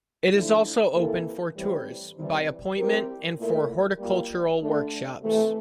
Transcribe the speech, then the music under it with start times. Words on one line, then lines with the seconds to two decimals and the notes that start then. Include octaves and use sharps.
It is also open for tours, by appointment, and for horticultural workshops.
0.34 D3 F3 A3 E4
0.95 C3 E3 A#3 E4 A4
1.56 A2 E3 G3 C4 G4
2.17 C3 E3 G3
2.77 G3 C4 E4 G4 A#4
3.39 A#2 A3 E4 A#4
4.00 G3 A#3 F4
4.61 D3 A3 D4
5.21 C3 E3 A3